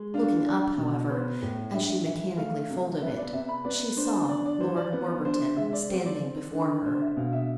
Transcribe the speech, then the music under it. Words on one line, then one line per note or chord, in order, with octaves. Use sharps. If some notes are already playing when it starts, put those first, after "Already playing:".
Looking up, however, as she mechanically folded it she saw Lord Warburton standing before her.
Already playing: G#3
D4 F5
D4 D5
B2
B3 C5
A2
D4 E5
E3 E5
A3 F5
C3
B3 E5
D5
C3 E5
B5
B3 D5
D4 C5
D4 D5
D5
E3 C5
D5
B3
D4 C5
G#3 E5
D5
C4
D5
C4
D3
D4 C5
E5
B2 F5
E5